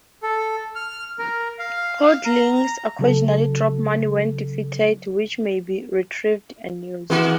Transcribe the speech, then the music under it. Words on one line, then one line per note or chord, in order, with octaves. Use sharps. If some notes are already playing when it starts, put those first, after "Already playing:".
Hordlings occasionally drop money when defeated, which may be retrieved and used.
A4
F6
A#4
F5
A#5
C#3 F#3 A4
E3 G#3 A#3 F#4